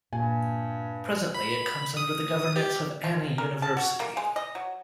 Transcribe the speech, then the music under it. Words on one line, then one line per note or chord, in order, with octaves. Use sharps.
Presently it comes under the governance of Anna University.
G2 A#2 G#5
B5
D#6
G4
F3
A#4
A5
F#4
A#3
G#3
D#5
F#3